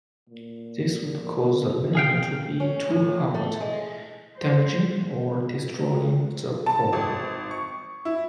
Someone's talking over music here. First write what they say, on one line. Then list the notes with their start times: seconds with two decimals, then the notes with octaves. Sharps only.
This would cause the landing to be too hard, damaging or destroying the probe.
0.28 A#2
1.95 G#4 F5 G5
2.60 C#4
2.90 A2
3.34 A3
3.60 G#3
4.39 C5
6.66 A5
6.93 G#1
7.51 C#6
8.05 E4